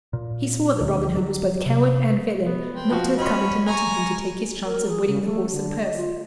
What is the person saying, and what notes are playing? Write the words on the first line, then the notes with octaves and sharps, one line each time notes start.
He swore that Robin Hood was both coward and villain not to have come into Nottingham to take his chance of winning the horse and purse.
A#2
D2
F#3
C3
B3
C4
B2 F3 F#4
C#4 D#5 B5 C6
G#5 A#5 C#6
A#4
G#4
C#3
A3
D3
D#5
F4